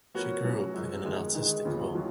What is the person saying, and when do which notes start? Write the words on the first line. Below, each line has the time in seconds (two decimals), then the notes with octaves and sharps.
She grew up in an artistic home.
0.14 F3 B3 F#4 A#4 C#5
0.44 F#3 C#4 F#4 B4
0.74 F#2 F3 G#3
1.04 F2 D#3 G#3
1.35 D#3 G#3 D#4 G#4 B4
1.65 D#2 C#3 F3 B3 F4
1.95 D#3 F#3 C#4 F4